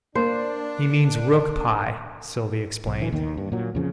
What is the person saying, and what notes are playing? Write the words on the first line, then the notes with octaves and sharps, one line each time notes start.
"He means rook-pie," Sylvie explained.
A#3 D4 C5
B1
D2 E3
D#2 D#3
G2
A#2 F#3
F2 C#3 F3